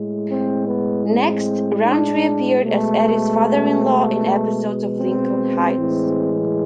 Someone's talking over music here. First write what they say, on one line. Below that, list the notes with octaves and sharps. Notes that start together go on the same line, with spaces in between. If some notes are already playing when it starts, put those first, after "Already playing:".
Next, Roundtree appeared as Eddie's father-in-law in episodes of "Lincoln Heights".
Already playing: A2 G#3
C4
B3
C4
D4
B2 G#3 A3
C4
A2 E3 G#3